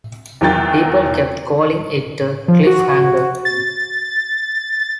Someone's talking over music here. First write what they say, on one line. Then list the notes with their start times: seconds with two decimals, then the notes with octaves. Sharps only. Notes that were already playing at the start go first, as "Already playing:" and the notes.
People kept calling it a cliffhanger.
0.41 E2 D#3 F#3 G5 A6
2.48 F3
2.67 F#4
3.45 A6